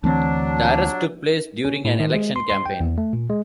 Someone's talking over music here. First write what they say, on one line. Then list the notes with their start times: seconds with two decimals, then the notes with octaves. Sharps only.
The arrest took place during an election campaign.
0.04 D2 E3 F#3 C4 D4
1.65 C#4
1.85 A2
2.00 D#3
2.14 G#3
2.36 C6
2.50 C6
2.66 G5
2.80 E2
2.98 A3
3.13 A#2
3.29 G#3